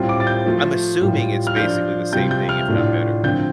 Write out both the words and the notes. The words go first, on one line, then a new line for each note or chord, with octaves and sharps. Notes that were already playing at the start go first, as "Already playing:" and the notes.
I'm assuming it's basically the same thing, if not better.
Already playing: A2 G3 C4 F4
D6
A6
G6
F3 A3 F4
A2 G3 F4
F6
F3 D4 F4 G6
C3 G3 F4 G6
G6
F6
A2 A3 D4 F4
D3 F3 C4 G6